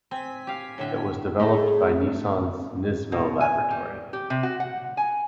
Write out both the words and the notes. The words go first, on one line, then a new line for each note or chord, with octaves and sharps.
It was developed by Nissan's Nismo laboratory.
C4 G#5 B6
G4 F5
A2 D3 E5
A3 D#4 G#4
B2
G#5
G3
G4
C3
F#4
F#5
G#5